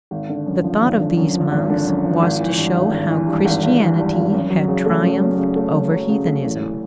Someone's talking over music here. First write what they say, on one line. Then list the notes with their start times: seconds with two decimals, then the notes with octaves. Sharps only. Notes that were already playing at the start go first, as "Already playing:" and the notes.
The thought of these monks was to show how Christianity had triumphed over heathenism.
0.11 G#1
0.29 D3
0.46 F#2
0.64 F3
0.81 G#1
1.00 D3
1.17 F#2
1.34 F3
1.52 G#1
1.70 D3
1.87 F#2
2.05 F3
2.23 G#1
2.40 E3
2.58 G2
2.75 G#1
2.92 G#1
3.10 E3
3.28 G2
3.45 G#1
3.63 G#1
3.80 E3
3.98 G2
4.16 G#1
4.33 F#2
4.50 F#3
4.68 C#3
4.86 A3
5.03 F#2
5.21 F#3
5.38 C#3
5.56 A3
5.74 F#2
5.91 F#3
6.09 C#3
6.26 A3
6.44 A1
6.62 E3